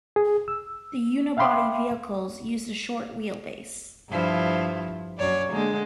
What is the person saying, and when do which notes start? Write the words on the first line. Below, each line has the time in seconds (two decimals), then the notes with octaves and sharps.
The unibody vehicles used a short, wheelbase.
0.16 G#4
0.48 E6
1.37 E5 F5 G5 B5 C6 D6
4.10 G2 F3 E4
5.18 F#2 C#5 D5
5.53 D3 G#3 A#3